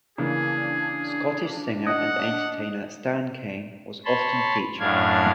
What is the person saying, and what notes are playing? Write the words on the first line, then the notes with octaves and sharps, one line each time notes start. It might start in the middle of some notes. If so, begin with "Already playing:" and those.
Scottish singer and entertainer Stan Kane was often featured.
C#3 E3 A#3 D4 G#4
D#5 F#5
C#5 A5 B5 C6
F#2 A2 D4 F5 G#6